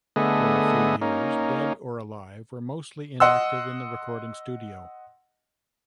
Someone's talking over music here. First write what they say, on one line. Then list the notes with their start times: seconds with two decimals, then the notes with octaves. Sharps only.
For a few years, Dead or Alive were mostly inactive in the recording studio.
0.16 D3 A3 B3 G#4 D#5
1.02 A#3 C#4 D#4
3.20 D#5 F#5 C6 E6